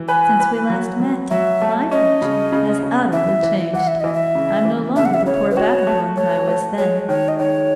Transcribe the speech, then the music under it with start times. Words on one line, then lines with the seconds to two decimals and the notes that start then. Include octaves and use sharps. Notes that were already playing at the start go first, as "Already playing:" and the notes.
Since we last met my fortune has utterly changed; I am no longer the poor vagabond that I was then.
Already playing: E3
0.08 B4 G#5
0.40 B4
0.70 F#3
1.00 F#3
1.30 F#3 E5
1.62 A3
1.91 C#4 D#5
2.22 C#3
2.52 C#3
2.83 C#3
3.12 E3 E5
3.43 E3
3.73 E3 F#5
3.87 E5
4.00 E3 D#5
4.14 E5
4.35 C#3
4.65 E3
4.96 C#3 E5
5.05 F#5
5.14 E5
5.26 C#3 C#5
5.51 B4
5.56 F#4 C#5
5.87 A3
6.17 A3 C#5
6.48 A3
6.78 G#3 C#5
7.09 D#3 C#5
7.28 D#5
7.39 D#3 C#5